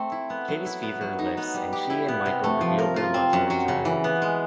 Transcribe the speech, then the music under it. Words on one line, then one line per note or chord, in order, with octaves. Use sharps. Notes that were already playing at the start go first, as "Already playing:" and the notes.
Katie's fever lifts and she and Michael reveal their love for each other.
Already playing: A3 C4
E4
B3
F#3
E4
B3
F#3
D#4
B3
G3
G4
E4
B3
C3
A3
F3
A#4
F4
C4
F#2
F#3
C#3
E3
B3
G#3